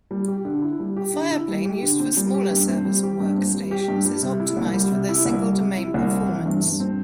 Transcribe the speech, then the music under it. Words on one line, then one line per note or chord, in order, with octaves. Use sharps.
Fireplane used for smaller servers and workstations is optimised for their single domain performance.
G3
G4
D3
E4
G3
G4
D3
E4
G3
G4
D3
C4
G3
G4
G2
C4
G3
G4
G2
C4
G3
G4
G2
G3
C3
E4
C2
G3
C3
E4
C2
G3
C3
E4
C2
C4
E3
G2
G2
C4